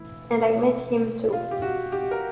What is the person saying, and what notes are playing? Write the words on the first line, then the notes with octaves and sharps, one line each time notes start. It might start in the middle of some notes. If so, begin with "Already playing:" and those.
And I met him, too.
Already playing: A2 E3 E4
F4
G4
F#4
G4
A#4